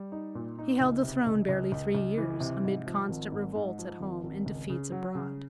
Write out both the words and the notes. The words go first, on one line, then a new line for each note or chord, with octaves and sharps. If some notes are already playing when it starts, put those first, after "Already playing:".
He held the throne barely three years, amid constant revolts at home and defeats abroad.
Already playing: G3
D#4
A#2
D#4
C#2
C3
C#2
C#2
C#2
C#2
E3
C3
G#2
F3
G#1
G#2
G#2
F3
G#1
G#1
C#2
C#3
F#3
C#3